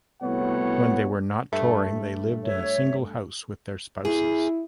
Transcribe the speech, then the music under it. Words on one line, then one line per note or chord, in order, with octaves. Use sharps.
When they were not touring, they lived in a single house with their spouses.
C2 A2 B3 F#4 C#5 F#5
G2 A3
C#5 E5
E4 G#4